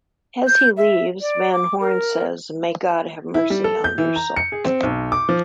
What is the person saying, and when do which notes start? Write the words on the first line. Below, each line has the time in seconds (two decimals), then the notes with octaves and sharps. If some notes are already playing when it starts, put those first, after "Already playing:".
As he leaves, Van Horn says, May God have mercy on your soul.
0.47 G6
0.77 E5
1.21 D5
1.53 D6
1.80 A#4
3.34 E4
3.50 G3
3.64 A4
3.84 G6
3.98 E3
4.16 A#5
4.36 C#7
4.52 G#4
4.66 C4
4.83 B1
5.12 D6
5.29 F3